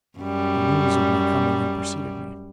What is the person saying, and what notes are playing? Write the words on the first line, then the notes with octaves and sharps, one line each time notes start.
The news of my coming had preceded me.
F#2 G3